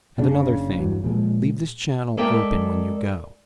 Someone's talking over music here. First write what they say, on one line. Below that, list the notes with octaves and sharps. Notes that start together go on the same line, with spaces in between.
And another thing, leave this channel open when you go.
F#1 C#3 D4
G2 E3 F#3
A#2 F3 G#3
G#3 A4 A#4 D5 E5 G5